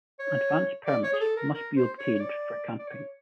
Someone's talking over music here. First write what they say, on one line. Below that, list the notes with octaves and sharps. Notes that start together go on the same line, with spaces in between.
Advance permits must be obtained for camping.
C#5
D5
C#5
G#4
A4
A#4
A#4
C5
C#5
C#5
D5
D5
C#5